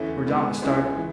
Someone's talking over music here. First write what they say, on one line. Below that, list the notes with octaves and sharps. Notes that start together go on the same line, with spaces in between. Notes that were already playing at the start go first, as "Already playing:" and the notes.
Mordaunt was startled.
Already playing: E2 D3 A3 C#4 E4
D3 G#3 B3
C#2 C#3 G#3 C#4 E4
E3